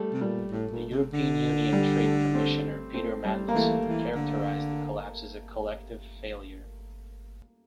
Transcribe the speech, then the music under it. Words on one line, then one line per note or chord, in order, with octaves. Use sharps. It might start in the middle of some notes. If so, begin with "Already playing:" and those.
The European Union Trade Commissioner Peter Mandelson characterized the collapse as a "collective failure".
Already playing: G3 A3
C3
A#2 G3
A2 A3
A#2
C3
D3
G3
A3
A3 C4
A3 C4
G3
A#3
E3 A3
E3
D3